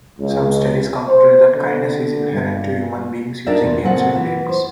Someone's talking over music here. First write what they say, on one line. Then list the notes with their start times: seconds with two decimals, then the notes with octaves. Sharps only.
Some studies concluded that kindness is inherent to human beings, using games with babies.
0.19 C#2
1.07 C5
1.54 D3
2.32 G2
3.47 D4 D#4 A4 A#4 D5 E5
3.63 E2 A#2 E3
3.83 A#2 C#3 C4 A4 F#5
4.15 E3
4.49 C5